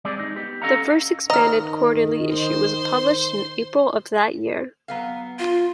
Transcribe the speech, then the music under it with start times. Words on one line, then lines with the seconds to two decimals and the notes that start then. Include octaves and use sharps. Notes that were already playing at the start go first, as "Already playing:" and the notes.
The first expanded quarterly issue was published in April of that year.
0.05 G3 G#3 C4 G#4 D5
0.19 D#4
0.36 B3 G4
0.62 C#4 A4 D#5 F5 F#5 A#5
1.30 D#3 D#5 A#5 F6
2.32 C5 C6
4.88 F#3 B3 F5
5.39 F4 F5